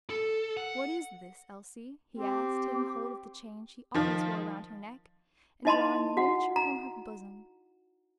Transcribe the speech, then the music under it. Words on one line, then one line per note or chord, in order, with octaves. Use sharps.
"What is this, Elsie?" he asked, taking hold of the chain she always wore around her neck, and drawing the miniature from her bosom.
A4
F#5
C4 G4
D#3 F3
D#4 E4 D#5 A5 B5 C6
F#4 F#5
A#5